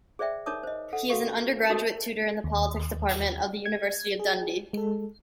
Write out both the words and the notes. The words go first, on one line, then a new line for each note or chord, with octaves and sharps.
He is an undergraduate tutor in the Politics Department of the University of Dundee.
G#4 C5 D5 E5 G5
D#4 A#4 C#5 A5 D6 D#6
C5 D#5
A4 F#5
F#4 A4 F5 C#6
D#4 F#4 A4 A#4 D#6
D#2
G#6
G#4
G#3 A4